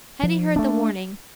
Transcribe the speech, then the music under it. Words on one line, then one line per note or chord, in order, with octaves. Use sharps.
Hetty heard the warning.
F3
A3 D4